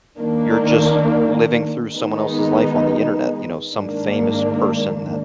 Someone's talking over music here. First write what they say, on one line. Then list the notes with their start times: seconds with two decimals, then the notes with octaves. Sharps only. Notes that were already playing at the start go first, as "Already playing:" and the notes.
you're just living through someone else's life on the Internet, you know, some famous person that
0.20 D#3 A#3 D4
1.97 D#3 G#3 B3 D#4
3.74 G#2 D#3 A#3 D4